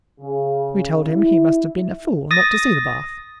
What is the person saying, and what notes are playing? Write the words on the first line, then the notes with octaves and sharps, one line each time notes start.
We told him he must have been a fool not to see the bath.
C#3
E4
D#6 A6 A#6